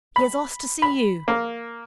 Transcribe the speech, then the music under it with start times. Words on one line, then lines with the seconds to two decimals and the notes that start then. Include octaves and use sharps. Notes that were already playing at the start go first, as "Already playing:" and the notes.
He has asked to see you.
0.16 B5
0.82 B5
1.28 A#3